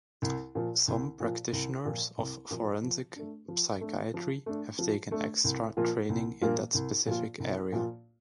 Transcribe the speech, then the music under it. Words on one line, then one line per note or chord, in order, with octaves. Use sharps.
Some practitioners of forensic psychiatry have taken extra training in that specific area.
C2
A#2 F3
C2
A#2 F3
C2
A#2 F3
C2
A#2 F3
F3
A3 D4
F3
A3 D4
F3
A3 D4
F3
A3 D4
C2
A#2 F3 A#3 F4
C2
A#2 F3 A#3 F4
C2
A#2 F3 A#3 F4
C2
A#2 F3 A#3 F4